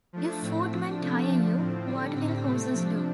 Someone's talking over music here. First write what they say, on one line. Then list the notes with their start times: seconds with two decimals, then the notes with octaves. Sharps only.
If Footmen Tire You, What Will Horses Do?
0.13 F3 A3 D4
0.42 A2 A3 C4
0.72 F3 D4
1.00 C3 F3 A3 D4
1.29 D3 F3 D4
1.57 A2 F3 C4
1.86 D3 G3 D4
2.15 A2 G3 C4
2.43 C3 A3 C4
2.73 C3 F3 D4